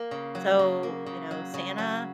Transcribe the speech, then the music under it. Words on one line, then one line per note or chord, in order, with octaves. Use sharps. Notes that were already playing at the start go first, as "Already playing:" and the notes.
So, you know, Santa
Already playing: A#3
C#3
F#3
C#3
A#3
C#3
F#3
C#3
F#3